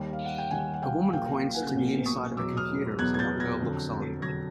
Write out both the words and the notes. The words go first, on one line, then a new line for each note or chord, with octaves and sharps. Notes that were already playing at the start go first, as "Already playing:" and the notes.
A woman points to the inside of a computer as a young girl looks on.
Already playing: D#2 D#3 G3
F5
F#5
G5
D#2 D#3 G3 F#5 G#5
F#5
F5 G5
F#5
A#1 A#2 F#3 A#3 F5 G5
F5 G5
F#5 G#5
A#1 A#2 F#3 A#3
C#6 D#6
E2 B2 F#3 B3 D6 E6
D#6 F6
E2 B2 F#3 B3 F#6 G#6
G#6
G6 A6
G#6 A#6
F2 D3 F#3
D3 F#3 G#6 A#6